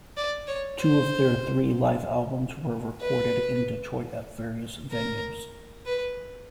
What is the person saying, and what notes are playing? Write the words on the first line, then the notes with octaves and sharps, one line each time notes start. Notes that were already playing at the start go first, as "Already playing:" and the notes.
Two of their three live albums were recorded in Detroit at various venues.
D5
C#5
C5
B4
A#4
B4